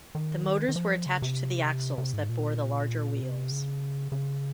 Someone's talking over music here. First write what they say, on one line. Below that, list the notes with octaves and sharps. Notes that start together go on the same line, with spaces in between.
The motors were attached to the axles that bore the larger wheels.
D#3
D#3
F3
C#3
C3
C3
G#2
A#2
C3
C#3
C#3